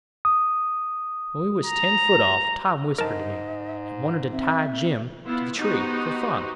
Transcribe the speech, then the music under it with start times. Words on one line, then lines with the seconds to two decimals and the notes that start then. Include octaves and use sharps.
When we was ten foot off Tom whispered to me, and wanted to tie Jim to the tree for fun.
0.25 D#6
1.65 A#5
2.98 G#2 A#4 D#5 A5
4.32 C4 E5
5.25 B3 E4 F4
5.58 B3 D#4 F#4 G4 C5